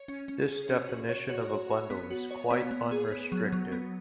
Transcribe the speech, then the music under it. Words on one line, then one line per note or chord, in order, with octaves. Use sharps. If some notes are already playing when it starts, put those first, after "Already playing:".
This definition of a bundle is quite unrestrictive.
Already playing: C#5
C#4
C#4
G#4
C#4
F#4
C#5
F#4
C#5
C#5
B3
F#4
C#5
B3
B3
G#4
B3
F#3
F#3
B3